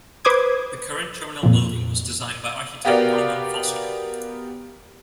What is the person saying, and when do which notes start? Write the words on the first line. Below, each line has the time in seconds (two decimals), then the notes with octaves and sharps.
The current terminal building was designed by architect Norman Foster.
0.25 B4 C5 D6 D#6 G#6
1.43 F2 A#2
2.85 B3 F#4 G4 A#4 D5 F5